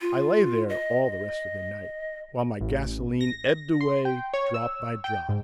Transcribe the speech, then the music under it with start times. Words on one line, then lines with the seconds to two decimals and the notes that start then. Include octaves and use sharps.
I lay there all the rest of the night, while my gasolene ebbed away drop by drop.
0.01 F4
0.69 D#5
2.61 A1
3.21 A#6
3.81 C6
4.05 G5
4.34 C#5
4.54 E6
5.04 G5
5.29 G#2